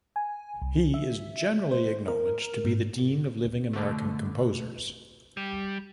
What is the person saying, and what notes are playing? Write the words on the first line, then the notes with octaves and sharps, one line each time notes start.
He is generally acknowledged to be the dean of living American composers.
G#5
C2
E5
C5
A#4
G#2
B2 D3 A3
G3